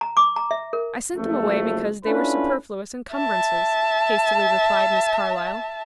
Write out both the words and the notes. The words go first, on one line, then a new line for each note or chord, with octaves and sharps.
"I sent them away because they were superfluous encumbrances," hastily replied Miss Carlyle.
A#5
D6
A#5
E5
A#4
F#1 F2 A3
C#4 D4 E4 F4 A4 B4
E5 A5